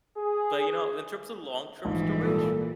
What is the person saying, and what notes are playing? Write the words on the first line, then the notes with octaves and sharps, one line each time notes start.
But, you know, in terms of long-term storage,
G#4
A#1 G#2 E3 G3
A#2 A4